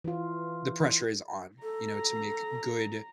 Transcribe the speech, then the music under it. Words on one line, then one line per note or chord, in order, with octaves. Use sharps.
the pressure is on, you know, to make good
E3 F4
A4 A#5